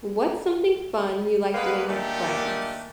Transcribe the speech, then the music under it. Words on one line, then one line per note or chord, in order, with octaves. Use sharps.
What's something fun you like doing with friends?
G#3 A#3 B3 B4
A#2 D#3 A3 D4 G4